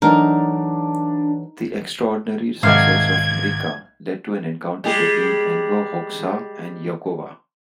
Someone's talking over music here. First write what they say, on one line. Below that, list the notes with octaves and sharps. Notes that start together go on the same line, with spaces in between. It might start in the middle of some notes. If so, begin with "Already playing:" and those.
The extraordinary success of "Mrika" led to an encounter between Enver Hoxha and Jakova.
E3 F#3 A3 D4 D#4 A#4
B1 G#2 C3 D#3 F5 G#6
G3 G#3 G#4